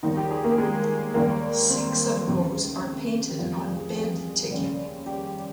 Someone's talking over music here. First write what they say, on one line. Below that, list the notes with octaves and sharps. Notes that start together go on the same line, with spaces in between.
Six of those are painted on bed ticking.
D#2 D#3 G3 D#4
G4
G#4
A#3
G#3
D#2 D#3 G3 A#3
C4
C#2 C3 D#3
F1 F2 D#3 G3 F4
G4
G#4
G#4
D#2 C#3 G3
G4